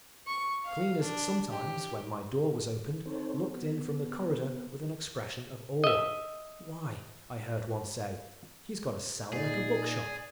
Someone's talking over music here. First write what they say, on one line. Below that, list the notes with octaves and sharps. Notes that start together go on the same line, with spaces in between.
Cleaners sometimes, when my door was opened, looked in from the corridor with an expression of awe. "Why," I heard one say, "he's got a cell like a bookshop."
C#6
F5
D4
G4
C4 D#4 A4 C5 C#5
B3
D#5 E5
A#2 D#4 G#4 D5